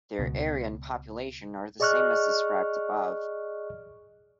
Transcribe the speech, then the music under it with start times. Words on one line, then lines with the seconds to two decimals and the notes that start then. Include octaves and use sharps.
Their area and population are the same as described above.
0.19 C#2 B2
1.80 G#4 D5 D#5 C#6 F6 F#6